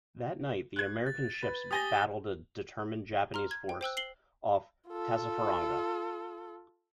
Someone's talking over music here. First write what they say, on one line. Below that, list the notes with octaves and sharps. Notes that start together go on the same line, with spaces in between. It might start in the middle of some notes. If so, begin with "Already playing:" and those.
That night, the American ships battled a determined Japanese force off Tassafaronga.
F#6 G#6
A6
B4
G4 G#5 D#6 A6 A#6 G7
A#5 C6 F6
G#6
G5
C5 G5 E6 F#6
C7 F#7 G7
F4 A4